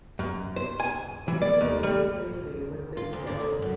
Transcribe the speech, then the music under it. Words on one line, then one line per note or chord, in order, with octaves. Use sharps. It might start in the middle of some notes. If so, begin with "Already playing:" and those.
A new aerial railway was built here.
F#2
C5
G#5
E3
D5
D#2
G3
F4
D2
D3
D#2
F#2